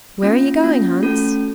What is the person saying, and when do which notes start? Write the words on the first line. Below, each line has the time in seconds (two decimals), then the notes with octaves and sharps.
'Where are you going, Hans?'
0.22 A#3 C#4 F4
0.63 A#3 C#4 F4
1.03 A3 C#4 F#4 A4